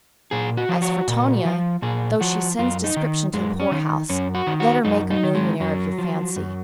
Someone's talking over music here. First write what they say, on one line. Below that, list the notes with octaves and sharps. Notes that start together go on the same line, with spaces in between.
As for Tonia, though she sends description to the poorhouse, let her make a millionaire of your fancy.
A#2 G#4
F#4
F3
F#4
A#2
F3
A#2 G#4
F3 F#4
F#2 F4
D#4
D#3
F#2 G#3
C#4
D#3
F#2 C#4
F#4
D#3
F#4
F#2 D#4
D#4
D#3
G#3
F#2 F#3
F3
F#2